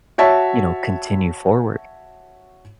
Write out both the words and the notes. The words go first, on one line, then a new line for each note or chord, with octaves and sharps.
you know, continue forward,
F#4 C#5 E5 A5